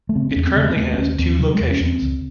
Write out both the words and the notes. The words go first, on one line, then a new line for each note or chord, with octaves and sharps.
It currently has two locations.
A3
C#3 C4
E2 C#4
C4
C#3
G#3
C4
D#2 A3
C4
D#2 C#4
D#2 C4
C3 F#3
G#3
E2
C#4
E2
C4
C#2